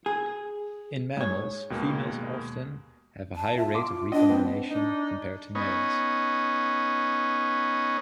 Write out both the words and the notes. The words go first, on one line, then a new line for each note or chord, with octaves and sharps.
In mammals, females often have a higher rate of recombination compared to males.
G#4
G#2 C#5
D#2 B2 G#3 A#3
A5
F4 E5
C6 D6
D4 D#5
B3 C4
D4 D#4
B3 C#4 D#4